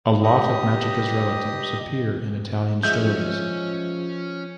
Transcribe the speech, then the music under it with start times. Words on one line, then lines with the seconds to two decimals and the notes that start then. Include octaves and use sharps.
A lot of Magica's relatives appear in Italian stories.
0.23 G2 G4 D#5 D#6
2.83 F3 G#3 C#4 C#5 E5 G6